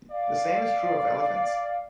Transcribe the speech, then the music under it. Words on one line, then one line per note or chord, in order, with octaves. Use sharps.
The same is true of elephants.
D5 F5